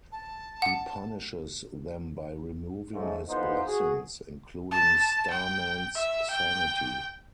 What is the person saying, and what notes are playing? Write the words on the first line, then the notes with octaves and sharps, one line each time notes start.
He punishes them by removing his blessings, including Starman's sanity.
A5
F#5
G#2 C#3 F3 G#3 A3
D3 E3 B3 D#4 F4 C5
F#4 G#4
A5
G5
E5
G5